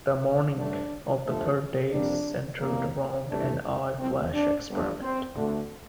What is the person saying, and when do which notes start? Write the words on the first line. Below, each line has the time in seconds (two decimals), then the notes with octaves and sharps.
The "morning" of the third day centered around an "eye flash" experiment.
0.54 G2 D3 A3 D4
1.24 G1 G2 F3 A3
1.92 F2 C3 G3 A#3 D4
2.60 E2 C3 G3 A#3
3.29 C2 C3 E3 A3 D4
3.98 C2 C3 F3 C4
4.33 D4
4.67 G1 G2 D3
5.01 C4
5.35 D2 D3 A3